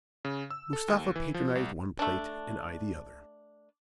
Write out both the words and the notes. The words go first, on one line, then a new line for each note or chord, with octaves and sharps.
Mustapha patronized one plate, and I the other.
C#3
E6
A4
D#2
E3
F3
C2
A3 D4